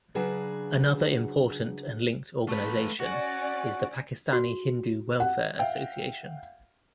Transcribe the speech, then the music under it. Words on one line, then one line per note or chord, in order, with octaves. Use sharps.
Another important and linked organization is the "Pakistani Hindu Welfare Association".
C#3 F#3 D4 F#4 G#4 B4
A3 B4
C#4 F#4 D5
F#4
F#5
E5 F5 G5